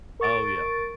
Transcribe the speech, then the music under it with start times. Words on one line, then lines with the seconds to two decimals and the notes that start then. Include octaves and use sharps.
Oh, yeah.
0.20 A#4 C#6 A6 D7